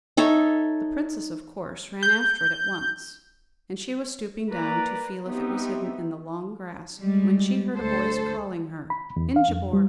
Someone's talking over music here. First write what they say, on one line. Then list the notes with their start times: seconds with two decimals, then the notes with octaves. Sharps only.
The princess of course ran after it at once, and she was stooping down to feel if it was hidden in the long grass, when she heard a voice calling her: 'Ingibjorg!
0.17 D#4 A4 C#5 E5
2.03 G6
4.50 A#3 B4 D5 A#5
5.26 B3 C4 D#4 G4 E5
7.00 G3 G#3
7.75 D2 A4 C5
8.90 B5
9.16 E2
9.36 F5
9.49 F2
9.73 G3